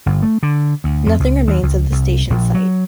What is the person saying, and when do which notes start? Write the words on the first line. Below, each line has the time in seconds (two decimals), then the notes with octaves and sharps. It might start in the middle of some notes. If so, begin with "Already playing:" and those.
Nothing remains of the station site.
0.06 G1
0.22 A3
0.43 D3
0.84 D2
1.06 F2
1.20 C#2
1.47 D#2
1.63 C#2
1.92 C2
2.30 A#1
2.54 F#3